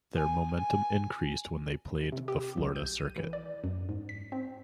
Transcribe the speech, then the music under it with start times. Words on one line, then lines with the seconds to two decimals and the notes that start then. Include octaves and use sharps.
Their momentum increased when they played the Florida circuit.
0.15 G#5
0.58 G#5
2.12 C3
2.28 G4
2.58 B1
2.76 G6
2.98 D#7
3.18 E3
3.33 D5
3.64 F#2
3.89 G#2
4.09 B6
4.32 C4